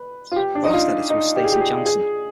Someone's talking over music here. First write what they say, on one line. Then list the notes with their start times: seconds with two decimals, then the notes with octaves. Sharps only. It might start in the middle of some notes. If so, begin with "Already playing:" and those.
The last editor was Stacey Janssen.
Already playing: B4
0.32 F4
0.36 G4
0.55 D4
0.64 D#4
0.73 F4
1.10 D#4
1.36 G4
1.44 G#4
1.52 G4
1.60 G#4
1.86 G#4